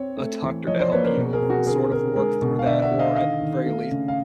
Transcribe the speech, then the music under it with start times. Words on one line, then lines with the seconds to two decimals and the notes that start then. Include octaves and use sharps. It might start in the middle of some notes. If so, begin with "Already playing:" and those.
a doctor to help you sort of work through that or at very least
Already playing: C4 C#5
0.17 A3
0.43 E3
0.67 F3 C#5 D#5
0.80 C5 D5
0.92 A#3 B4 C#5
1.04 A#4 C5
1.17 B2
1.33 G#4 A#4
1.42 C4
1.50 F#4 G#4
1.66 D3 G#4 A#4
1.91 D3 G#4 A#4
2.16 G#3 G#4 A#4
2.41 B2
2.59 F5
2.66 D3 D5 E5
2.82 E5 F#5
2.91 D3
2.99 D#5 F5
3.16 D#3 D#5 F5
3.41 D#3
3.66 A3
3.91 C#3
4.08 F5